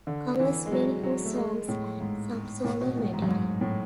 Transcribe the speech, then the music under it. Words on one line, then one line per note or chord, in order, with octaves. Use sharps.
Covers many Who songs and some solo material.
D3
E3
G#3
F#3
F#3
A3
G#3
A2
G#2
A2
B2
A2
G#2
F#2
G#2
A2